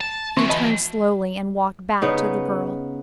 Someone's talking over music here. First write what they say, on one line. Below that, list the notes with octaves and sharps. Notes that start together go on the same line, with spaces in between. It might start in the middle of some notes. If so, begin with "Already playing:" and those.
He turned slowly and walked back to the girl.
A5
E3 F#3 C4 C#6
D#5 A5 B5
C#3 B3 D#4